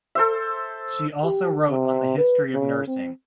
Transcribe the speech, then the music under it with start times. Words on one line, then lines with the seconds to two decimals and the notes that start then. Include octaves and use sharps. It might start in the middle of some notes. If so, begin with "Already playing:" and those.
She also wrote on the history of nursing.
0.15 A4 C5 E5
1.24 G4
1.70 C3
2.18 B4
2.54 C#3
2.87 C4